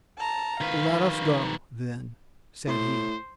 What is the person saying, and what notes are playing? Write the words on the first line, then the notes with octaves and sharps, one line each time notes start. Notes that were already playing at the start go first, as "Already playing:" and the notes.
"Let us go, then!" said he.
A5 A#5
D#3 B4 F5
A2 C5